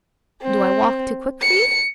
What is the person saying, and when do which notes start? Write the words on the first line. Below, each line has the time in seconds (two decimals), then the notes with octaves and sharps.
'Do I walk too quick for you?'
0.42 C4
1.42 C#7